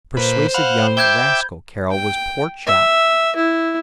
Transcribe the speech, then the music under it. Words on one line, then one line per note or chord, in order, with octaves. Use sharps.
Persuasive young rascal, Carroll Was--poor chap ...
A#2 B4 C5
F5 F#5 B5
E5 G5 D6 G6 G#6 G7
G5
E5
E4